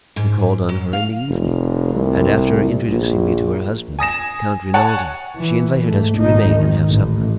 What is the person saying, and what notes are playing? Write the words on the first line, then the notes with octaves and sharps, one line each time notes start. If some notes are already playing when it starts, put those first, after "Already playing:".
We called on her in the evening, and, after introducing me to her husband, Count Rinaldi, she invited us to remain and have supper.
G#2
F#3
F5
F1
C2
A#1
G#5 D#6 A#6 E7
C#5 F#5 G#5 A5
E3
G#2 A3
G#1 D#4
D#3
A1